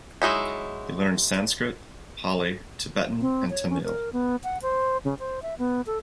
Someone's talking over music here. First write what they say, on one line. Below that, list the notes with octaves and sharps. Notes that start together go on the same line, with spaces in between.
He learned Sanskrit, Pali, Tibetan and Tamil.
F#3 G#3 D#4 E4
C4
C#5
C#4
A#4
B3
F#5
C5
C#3
C5
E5
B3
A4